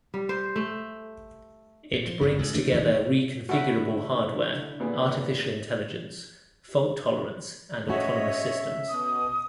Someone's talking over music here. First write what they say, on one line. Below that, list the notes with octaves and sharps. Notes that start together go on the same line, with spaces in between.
It brings together reconfigurable hardware, artificial intelligence, fault tolerance and autonomous systems.
G3
C5
A3
A#2
F3
G1 C2
C#2 G#2
C3 A3 D4
D#1 C2 D#3 E3
D3 A3 E4 F#4
A#2 B3 G#4
A3 C#4 F#4 C#5 D#5 E5
B2 D#6